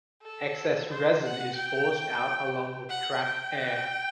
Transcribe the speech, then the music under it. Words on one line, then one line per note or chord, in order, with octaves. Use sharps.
Excess resin is forced out along with trapped air.
A4
C5
F#5
G5
F#5
G5